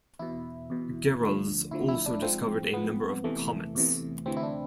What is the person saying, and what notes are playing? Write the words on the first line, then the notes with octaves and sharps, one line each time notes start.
Gehrels also discovered a number of comets.
E2 B2 E4
E2 B2
D2 D3 F3
D2 D3 F3 E4
E4
D4
G#2 F3 C4
G#2 F3 B3
E2 C3 E3 A3
E2 C3 E3
D2 C3 E3 C4
E4
D4